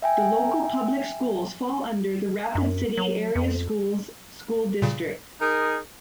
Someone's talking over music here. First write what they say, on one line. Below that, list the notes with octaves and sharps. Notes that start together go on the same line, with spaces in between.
The local public schools fall under the Rapid City Area Schools school district.
E5 G5 G#5
F#2
F#3
F2
A#2 C#3
D#4 G#4 A#4